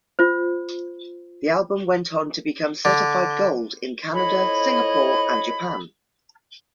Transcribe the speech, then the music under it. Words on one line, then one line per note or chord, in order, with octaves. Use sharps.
The album went on to become certified Gold in Canada, Singapore, and Japan.
F4 C5
D3
F2 E4 C#5 D#5 B5